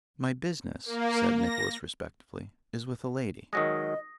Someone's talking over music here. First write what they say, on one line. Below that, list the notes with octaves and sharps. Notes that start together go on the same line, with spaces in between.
'My business,' said Nicholas respectfully, 'is with a lady.'
A#3
A#6
D#3 F#3 G#3 D#5 D#6 A#6